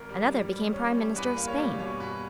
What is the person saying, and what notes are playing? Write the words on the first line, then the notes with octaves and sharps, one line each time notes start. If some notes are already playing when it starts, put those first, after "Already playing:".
Another became Prime Minister of Spain.
Already playing: G#1 A#4
G3
G3
G3
C#4
G3
E2 B4
A#3
C#5
G3
B2 C#5
B2 B4